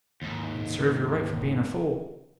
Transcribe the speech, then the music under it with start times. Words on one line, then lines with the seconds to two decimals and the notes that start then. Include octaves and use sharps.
And serve yer right for being a fool.'
0.22 D#2 G#2